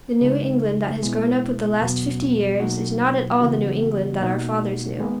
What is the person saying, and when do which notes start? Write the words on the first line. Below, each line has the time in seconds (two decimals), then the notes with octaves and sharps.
The New England that has grown up with the last fifty years is not at all the New England that our fathers knew.
0.21 C#3 G#3 D#4
1.01 B2 G#3 B3 E4
1.81 E2 B2 F#3 B3 F#4
2.60 B2 F#3 A#3 D#4 F#4
3.40 C#3 E3 B3 F#4
4.20 B2 A#3 D#4 F#4
4.99 D#3 G#3 B3